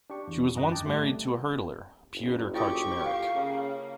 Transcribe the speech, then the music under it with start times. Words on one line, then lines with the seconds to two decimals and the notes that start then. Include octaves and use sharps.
She was once married to a hurdler, Piotr Karczmarek.
0.10 D4 G4 C#6
0.28 E2
0.56 F#2 D3 D#5 A#5 F#6
0.71 G5 A5 D6
0.86 G#2 G3 A3
2.12 F#1
2.54 E4 F4 G4 A4 C#6
3.04 F5
3.34 C#3 A#3